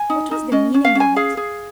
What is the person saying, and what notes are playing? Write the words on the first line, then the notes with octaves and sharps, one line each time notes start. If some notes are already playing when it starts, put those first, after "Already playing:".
What was the meaning of it?
Already playing: G#5
D#4
D#4
C#4 D#5
C#4
F5
C#4 G#5
G#4 F5
G#4